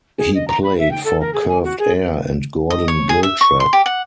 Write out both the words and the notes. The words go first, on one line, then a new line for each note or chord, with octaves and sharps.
He played for Curved Air and Gordon Giltrap.
G#4
D#5
A#5
B5
E5
G5
A4
A#4
G#4
G#5
F#4
G#4
D#5
C#5
G#4
E5
C#6
C6
G4
F#5